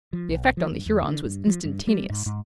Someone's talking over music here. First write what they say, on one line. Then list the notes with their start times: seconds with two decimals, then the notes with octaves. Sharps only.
The effect on the Hurons was instantaneous.
0.13 F3
0.29 B1
0.57 F3
0.71 G2
0.86 E2
1.03 D3
1.25 G2
1.47 F3
1.65 G2
1.87 G3
2.10 G#2
2.26 G#2